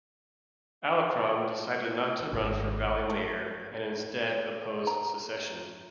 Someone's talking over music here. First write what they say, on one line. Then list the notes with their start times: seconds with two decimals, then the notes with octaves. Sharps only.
Alarcon decided not to run for Valley mayor, and instead opposed secession.
2.33 G#1
3.10 A3
4.87 A#5